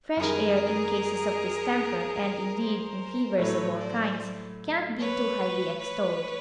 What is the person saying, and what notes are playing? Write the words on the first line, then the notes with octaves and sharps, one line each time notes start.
Fresh air in cases of distemper, and, indeed, in fevers of all kinds, cannot be too highly extolled.
F#2 D#3 G3 G#4 A#4
A#4 C5
A2 F#3 A3 B4 C#5
C5 D5
B4 C#5
B4 C#5